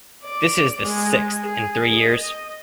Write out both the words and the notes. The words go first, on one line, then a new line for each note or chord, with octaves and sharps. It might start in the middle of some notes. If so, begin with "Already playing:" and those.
This is the sixth in three years.
D5
G#3
G#4
D#5